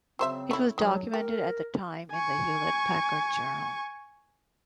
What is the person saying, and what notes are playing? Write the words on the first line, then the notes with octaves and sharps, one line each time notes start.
This was documented at the time in the Hewlett-Packard Journal.
C#3 F#3 C4 C5 E5
A3 E4
D#3 F#3 G#3
G4 A#4
G#5 C#6